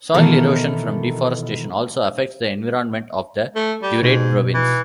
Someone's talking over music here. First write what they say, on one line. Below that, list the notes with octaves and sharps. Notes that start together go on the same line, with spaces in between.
Soil erosion from deforestation also affects the environment of the Duarte Province.
B2 D#3 E3 A4 A#4
A3
G3
G#2 B2
E3